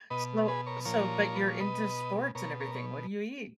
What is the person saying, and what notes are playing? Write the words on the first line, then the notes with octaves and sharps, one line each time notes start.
So so but you're into sports and everything. What do you eat?
B2 B4 D#5
G#4 B4
A#4 C#5
A#2 F3 A#4 C#5
B4
C#5
B2 B4 D#5
B2 A#4 C#5
A#4 C#5
C#5